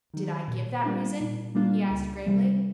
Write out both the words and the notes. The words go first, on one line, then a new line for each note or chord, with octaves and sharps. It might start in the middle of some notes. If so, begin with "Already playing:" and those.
"Did I give that reason?" he asked gravely.
D#3 F#3
A#2
G3 A#3 D4 F4
A#2
G3 A#3 D4 F4
C#2
C3 E3 G3